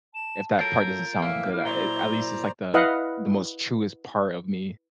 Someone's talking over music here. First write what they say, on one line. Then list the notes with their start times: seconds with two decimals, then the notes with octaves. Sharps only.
if that part doesn't sound good, I, eh, at least it's, like, the the most truest part of me,
0.15 A5 E7
0.59 F#3 F4 A4 A#4 G6
1.22 A2 E3 A#3 E5 F5
1.52 E4 F6
1.65 A#2 F#3 C5 D5 A#5 G7
2.74 E4 B4 D#5 F5 F#5